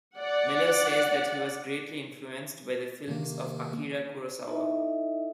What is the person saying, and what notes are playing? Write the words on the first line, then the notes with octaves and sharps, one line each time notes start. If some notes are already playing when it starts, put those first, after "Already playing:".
Miller says that he was greatly influenced by the films of Akira Kurosawa.
D5 F#5
C3 D#3 A#3
D#4 E4 A4 D#5 E5